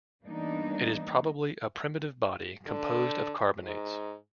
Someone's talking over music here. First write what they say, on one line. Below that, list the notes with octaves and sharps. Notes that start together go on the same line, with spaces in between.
It is probably a primitive body composed of carbonates.
E3 G3 A#3 B3 D4 D#4
D3
G#2